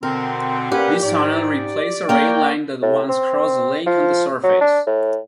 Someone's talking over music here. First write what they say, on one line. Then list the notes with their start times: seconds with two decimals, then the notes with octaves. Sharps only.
This tunnel replaced a rail line that once crossed the lake on the surface.
0.03 B2 D3 C4 A#4
0.72 A#2 C#4 G4 B4 F#5
1.03 G#2 D5
2.09 A#3 A#4 C#5 G5
2.82 A2
3.09 C4
3.86 F3
4.43 F#3
4.61 D4
4.87 A2